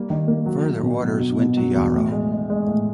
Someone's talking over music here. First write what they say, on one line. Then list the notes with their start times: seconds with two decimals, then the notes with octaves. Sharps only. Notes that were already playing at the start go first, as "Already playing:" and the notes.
Further orders went to Yarrow.
Already playing: G3 A#3
0.10 D#3
0.28 A#3
0.46 F#3
0.64 F#3
0.83 B2
1.02 F#3
1.20 B2
1.39 B2
1.57 F#3
1.75 E2
1.94 A2
2.12 G#3
2.31 G#3
2.50 G#3
2.67 A2